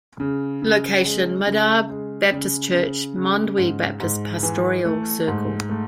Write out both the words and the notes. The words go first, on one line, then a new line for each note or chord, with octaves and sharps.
Location: Madhab Baptist Church, Mandwi Baptist Pastoral Circle.
C#3
C#3
G#3
C#3
G#3
C#3
C#3
C#3
G#2
G#2
E3
A3
G#2
A3